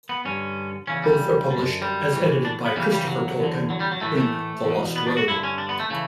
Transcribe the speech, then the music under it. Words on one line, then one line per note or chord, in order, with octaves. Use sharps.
Both are published, as edited by Christopher Tolkien, in "The Lost Road".
B3
G2 D3 C#4
E2 C#3 E3 C#4
G3
F#2 D3
G3
A2 E3
D4
B3
E2 C#3 E3 G3
G3
F#3
E2 D3
F#3
G3
F#3
A2 E3 A3
A3
E2 B2
B3
D4
F#4
G2 D3 E4
C#4
D4
B3
A3
C#3 E3 A3